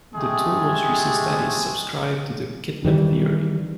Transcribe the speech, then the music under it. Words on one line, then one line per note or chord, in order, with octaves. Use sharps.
The two most recent studies subscribe to the kidnap theory.
G#3 A3 G4 G#4
D#3 E3 G3